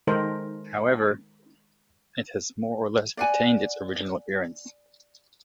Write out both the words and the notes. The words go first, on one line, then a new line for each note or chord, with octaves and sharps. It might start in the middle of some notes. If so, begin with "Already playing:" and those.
However, it has more or less retained its original appearance.
D#3 G#3 D#4 A4 A#4 C5
D5 F#5 G#5